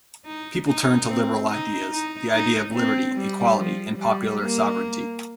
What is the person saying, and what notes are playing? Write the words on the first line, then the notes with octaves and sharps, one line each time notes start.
People turned to liberal ideas: the idea of liberty, equality, and popular sovereignty.
D#4
D#4
C4
D#4
D#4
D#4
C4
G3
F3
G3
A#3